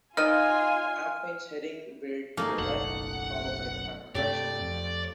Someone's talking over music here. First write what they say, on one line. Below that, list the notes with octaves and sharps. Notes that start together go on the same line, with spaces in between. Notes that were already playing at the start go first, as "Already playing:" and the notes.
The airplane's heading veered to the left, followed by a track correction.
D#3 F4 D#5 G#5 F6
A3 A#3 D#4 G#4
F#1 B1 F#5
G2 C3 A3 C4 G4 D5
F2